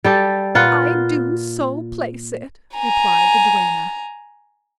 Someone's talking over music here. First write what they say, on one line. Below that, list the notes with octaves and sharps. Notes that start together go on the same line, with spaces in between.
"I do so place it," replied the duenna.
G3 G4 A4
A#2 F4 B4 F#5
G#5 A#5